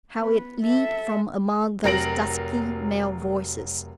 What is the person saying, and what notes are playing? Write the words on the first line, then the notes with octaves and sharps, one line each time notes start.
How it leaped from among those dusky male voices!
B3 B4
A4 E5
F1 F#3 A#4 A#6 D7 F#7